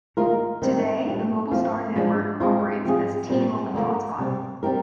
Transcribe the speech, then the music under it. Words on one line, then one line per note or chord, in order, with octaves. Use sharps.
Today, the MobileStar Network operates as T-Mobile Hotspot.
D#3 A#3 F4 A#4
D#3 G3 C4
A#2 G3 D4
F3 C4 F4
F3 G#3 D4
G#3 C4 F4
F3 C4 F4 G#4
A#2 G3 C4
D3 F3 A#3
C3 G3 C4
G3 C4 G4 A#4